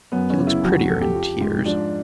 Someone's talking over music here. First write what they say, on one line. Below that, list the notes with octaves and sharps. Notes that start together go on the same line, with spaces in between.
She looks prettier in tears.'
F#2 B3
C#4
C#3
E4
F2 F#4
F#4
F2 A4
G4
F3
G#2
F3 D4